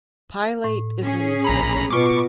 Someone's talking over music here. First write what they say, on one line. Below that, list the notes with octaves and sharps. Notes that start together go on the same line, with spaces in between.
Pilate is imprisoned.
A2
C#4 G#4
A#1 A#5 B5
B2 B3 F4 B4 C#6 D6